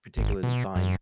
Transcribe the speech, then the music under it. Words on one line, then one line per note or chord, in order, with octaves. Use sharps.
particularly fine,
G#1
B2
F#2